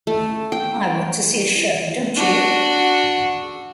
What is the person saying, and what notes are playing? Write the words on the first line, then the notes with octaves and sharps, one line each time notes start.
I want to see a show, don't you?
A3
G5
D4 F#4